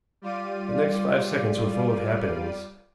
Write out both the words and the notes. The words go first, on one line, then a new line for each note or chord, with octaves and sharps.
The next five seconds were full of happenings.
G3 F4 D5 D#7